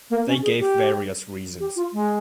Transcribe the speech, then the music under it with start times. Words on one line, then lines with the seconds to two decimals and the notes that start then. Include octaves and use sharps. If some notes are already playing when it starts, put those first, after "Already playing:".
They gave various reasons.
0.10 A#3
0.27 C#4
0.42 G#4
0.60 G4
1.60 G4
1.76 F4
1.93 G#3